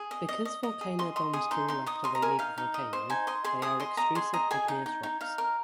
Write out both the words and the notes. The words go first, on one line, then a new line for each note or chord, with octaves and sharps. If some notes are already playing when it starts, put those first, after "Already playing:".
Because volcanic bombs cool after they leave the volcano, they are extrusive igneous rocks.
Already playing: G#4
D#5
D#5
D#5
D#5
G#4
D#5 C6
D#5 C6
G#4 D#6
D#4 C6
D#4 C6
D#4 D#6
D#5 C6
A#5
A#4 G#5
D#4 F5
D#4
D#5
C5
D#4 G#5
D#5 C6
G#4 C6
G#4 D#6
D#5 C6
D#5 A#5
G#4 C6
D#5 A#5
G#4 G#5
D#4
D#4
D#4
D#4 F5
A#4